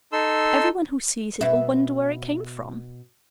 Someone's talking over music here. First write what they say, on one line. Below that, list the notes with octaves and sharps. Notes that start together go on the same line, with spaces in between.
"Every one who sees it will wonder where it came from."
D#4 A4 C6 E6
B2 E5